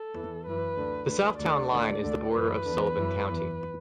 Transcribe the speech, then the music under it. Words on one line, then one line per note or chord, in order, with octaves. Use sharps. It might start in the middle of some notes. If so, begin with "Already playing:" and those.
The south town line is the border of Sullivan County.
Already playing: A4
E2 E3
F#2 E3 B4
D2 D3
D2 D3 B4
D2 D3 D5
D2 D3
D2 D3
F#2 E3 B4
E2 D3
F#2 E3
E2 E3